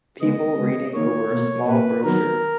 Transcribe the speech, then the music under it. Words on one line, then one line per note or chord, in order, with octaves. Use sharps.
People reading over a small brochure.
C#3 G#3 B3 D#5
C#3 G#3 B3
D#3 A#3 C#5
B2 A#3
A#2 A#3 B4
D#3 F#3 B3 A#4